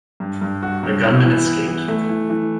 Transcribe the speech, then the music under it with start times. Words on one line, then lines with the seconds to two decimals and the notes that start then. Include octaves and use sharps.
The gunmen escaped.
0.20 G2
0.42 G2
0.63 F#4
0.83 G2
1.04 E4
1.25 E3
1.46 B3
1.68 E3
1.88 A3
2.09 E3
2.30 E3